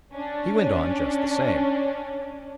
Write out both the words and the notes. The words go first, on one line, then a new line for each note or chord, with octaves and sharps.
He went on just the same.
C#4 D4